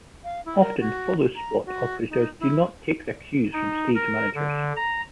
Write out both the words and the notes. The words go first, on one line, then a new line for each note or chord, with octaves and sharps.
Often followspot operators do not take their cues from stage managers.
F5
E4
A#4
F#4
A#5
F#4
D#4
E4
D#4
A#4
D3
A#5